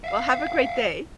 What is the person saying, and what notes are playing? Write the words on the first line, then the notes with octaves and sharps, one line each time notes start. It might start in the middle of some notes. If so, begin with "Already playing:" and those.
Well, have a great day.
E5 F5